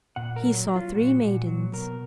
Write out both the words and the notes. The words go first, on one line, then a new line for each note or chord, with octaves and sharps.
He saw three maidens.
A#2 F#5
A#4
F#3
F#3
F4
A#2 F#4
A#2
F#3
B2 A#4